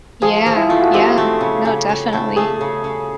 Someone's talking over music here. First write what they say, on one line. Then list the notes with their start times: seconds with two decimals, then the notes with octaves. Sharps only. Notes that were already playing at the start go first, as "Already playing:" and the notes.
Yeah, yeah, no, definitely.
0.22 F3 G#4
0.46 F3
0.56 E4
0.69 A3 F4
0.81 F#4
0.94 C4 G4
1.18 A3
1.41 C#3
1.65 C#3
1.89 C#3
2.13 A3
2.36 A3 G#4
2.61 C#3
2.84 C#3